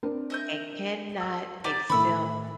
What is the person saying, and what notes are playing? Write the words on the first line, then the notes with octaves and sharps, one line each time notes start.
and cannot accept
C4 D4 A#4
D#5 E5 G6
E6
G4 D5 F#5 A#5 D6
A2 D#3 B5 E6